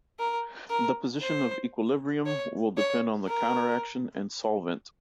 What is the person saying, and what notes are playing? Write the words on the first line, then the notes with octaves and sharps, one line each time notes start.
The position of the equilibrium will depend on the countercation and solvent.
A#4
A#4
C5
C#5
C#5
A#4